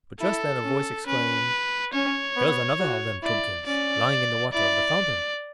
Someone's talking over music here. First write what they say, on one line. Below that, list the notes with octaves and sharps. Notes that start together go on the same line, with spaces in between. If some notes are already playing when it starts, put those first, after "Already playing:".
But just then a Voice exclaimed: "Here's another of them, Tubekins, lying in the water of the fountain."
E4 A4
C#4
C#4 B4
C#4 C#5
B3
F#4
E4 D5
C#4 D5
E4 D5